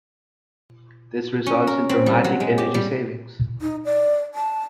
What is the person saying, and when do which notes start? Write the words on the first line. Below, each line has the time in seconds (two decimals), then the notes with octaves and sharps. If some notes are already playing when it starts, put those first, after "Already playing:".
This results in dramatic energy savings.
1.46 C#4
1.67 A#4
1.89 C4
2.06 G3
2.24 F#3
2.40 G#3
2.58 G4
2.74 G3
3.62 D#4
3.85 D5
4.35 A5